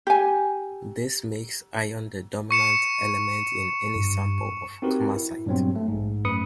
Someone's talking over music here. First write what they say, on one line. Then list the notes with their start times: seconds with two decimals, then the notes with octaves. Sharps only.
This makes iron the dominant element in any sample of kamacite.
0.07 G4 G#5
2.51 C#6 C#7 E7
3.96 G2
4.82 C4 D#4 F#4 G4 A#4 B4
5.16 E4
5.46 G2 A#2 F#3 B3 C4
5.76 A3
5.88 A#1 G#2
6.25 F#2 A3 B4 B5 D#6 C#7